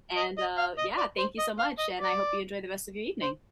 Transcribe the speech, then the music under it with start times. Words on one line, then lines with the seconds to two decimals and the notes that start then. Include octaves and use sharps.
And, uh, yeah, thank you so much, and I hope you enjoy the rest of your evening.
0.17 D#5
0.38 D#5
0.58 F5
0.78 D#5
0.98 D5
1.18 C5
1.39 D#5
1.59 F5
1.79 D#5
1.99 D5
3.22 C5